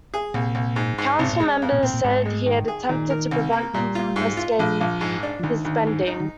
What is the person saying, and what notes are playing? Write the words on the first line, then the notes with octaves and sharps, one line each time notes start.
Council members said he had attempted to prevent them from investigating his spending.
G#4
C2 A#2
C2
G#2
G#2
G#1 C3
A#2
G#3
F2
A#2
A#2 C4
A#2
G#1 G#2
G#3
D#3
G#4
A#2 D#3
A#4
C2
A#3
A#2 G3
F4
G#2
F4
A#1 F3
A#1
G#2
D4
F3
D2 D#3
D2
G#2
D#4
D#3